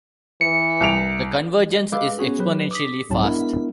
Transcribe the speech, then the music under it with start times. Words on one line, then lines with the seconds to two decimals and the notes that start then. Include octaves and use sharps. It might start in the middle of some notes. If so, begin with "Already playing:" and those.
The convergence is exponentially fast.
0.41 E3 C#7
0.81 C2 D7 F7
1.92 G#3 B4 F5 D6 E6
2.19 B3 C#4 F#4 G#4
2.39 F#3 G4 B4
2.71 D6 D#6 B6
3.09 C2 G#2 F#3 C4 A5
3.23 G#3 B3 D4 E4 A#4